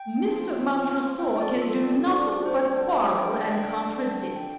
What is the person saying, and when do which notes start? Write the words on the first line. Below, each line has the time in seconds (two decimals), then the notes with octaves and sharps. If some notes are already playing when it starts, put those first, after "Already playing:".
"Mr. Montresor can do nothing but quarrel and contradict."
Already playing: G5
0.25 F3
0.56 F3
0.87 F3
1.19 A3 G5
1.40 D5
1.51 F3
1.62 A4
1.83 G2
2.14 D4
2.46 D3 C5
2.77 A3 G5
3.09 D3 G5
3.30 G5
3.40 D3
3.52 G5
3.72 D4 A5
4.04 A3
4.36 G5